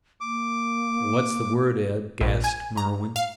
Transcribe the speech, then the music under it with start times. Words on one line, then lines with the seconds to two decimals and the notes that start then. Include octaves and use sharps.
"What's the word, Ed?" gasped Merwin.
0.21 A#3 D6
2.21 A#1
2.44 G#5
2.77 A#5
3.16 F5